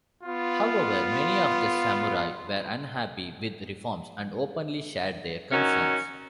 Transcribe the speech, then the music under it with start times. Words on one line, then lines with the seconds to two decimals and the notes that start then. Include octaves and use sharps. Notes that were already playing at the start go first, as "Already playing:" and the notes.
However, many of the samurai were unhappy with reforms and openly shared their concerns.
0.24 B3 F4
5.52 D#3 F#3 C#4